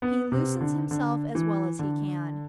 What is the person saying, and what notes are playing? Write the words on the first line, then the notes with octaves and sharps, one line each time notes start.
He loosens himself as well as he can.
B3
C3
D3
D3
E3
D3